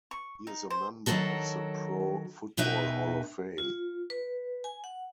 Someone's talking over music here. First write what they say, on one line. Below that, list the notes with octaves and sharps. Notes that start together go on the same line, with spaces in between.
He is a member of the Pro Football Hall of Fame.
C#6
D#4
C5
D#3 F#3 A#3 F#4 A4 A#4
B2 D#4 B4 E5 G5
F4
B4
G#5
F#5